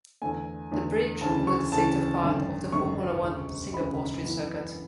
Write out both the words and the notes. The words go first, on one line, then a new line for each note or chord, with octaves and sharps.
The bridge forms a distinctive part of the Formula One Singapore Street Circuit.
E2 D3 A3 G#5
E2 D3 A3
D2 C#3 E3 A5
C#6
D2 C#3 E3 A5
G#1 F#2 D3
G#1 F#2 D3 C#6
E1 D2 C#3
E1 D2 C#3 B5
F#2 E3 B3